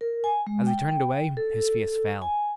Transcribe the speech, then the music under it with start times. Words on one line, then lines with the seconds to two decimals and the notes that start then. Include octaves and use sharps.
As he turned away his face fell.
0.01 A#4
0.24 G#5
0.47 G#3
0.67 G5
1.37 A4
2.22 G#5